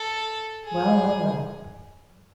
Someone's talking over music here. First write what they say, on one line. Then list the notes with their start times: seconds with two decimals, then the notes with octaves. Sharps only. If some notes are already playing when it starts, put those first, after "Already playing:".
Well, well, well!
Already playing: A4
0.64 G#4